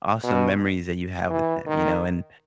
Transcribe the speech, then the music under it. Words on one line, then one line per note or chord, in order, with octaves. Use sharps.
awesome memories that you have with him, you know, and,
B2
E3
D#3